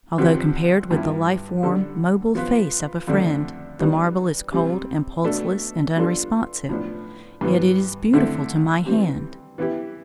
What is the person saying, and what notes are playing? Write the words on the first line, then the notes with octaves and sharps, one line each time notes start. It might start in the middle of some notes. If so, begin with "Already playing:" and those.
Although, compared with the life-warm, mobile face of a friend, the marble is cold and pulseless and unresponsive, yet it is beautiful to my hand.
D3 F3 C4 G4 B4
G2 F3 B3 E4
D3 G3 D4 A4
F3 B3 F4 B4
F2 D3 A3 D4
E3 G3 B3 D4
C3 G3 C4
B2 A3 D4 A4
G3 B3 D4 F4 A4
A2 F3 B3 D4
G2 E3 B3
D3 A3 C4 E4
E3 G3 C4 G4
E3 B3 E4 G4